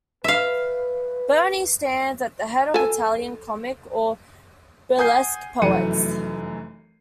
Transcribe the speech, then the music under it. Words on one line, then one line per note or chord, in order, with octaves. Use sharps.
Berni stands at the head of Italian comic or burlesque poets.
B4 E5 F5
A4 G#5
F#5 G#5 D#6 G6 C7
F1 F#2 E3 A3 C#7 D#7